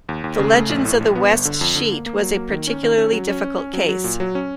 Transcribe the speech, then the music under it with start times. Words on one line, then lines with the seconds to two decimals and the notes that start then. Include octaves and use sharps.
The Legends of the West sheet was a particularly difficult case.
0.09 D#2
0.24 D#2
0.39 C#3
0.54 A3
0.69 A#1
0.85 A2
1.00 A#1
1.15 B3
1.31 G1
1.45 D3
1.61 F2
1.76 D3
1.92 A#3
2.06 A#3
2.21 F#3
2.37 A#3
2.52 D#3
2.67 C#4
2.83 D#3
2.97 C#4
3.13 F#3
3.28 C#4
3.44 C#4
3.59 C#4
3.73 F#3
3.89 F#3
4.04 A#2
4.20 F#3
4.35 C#4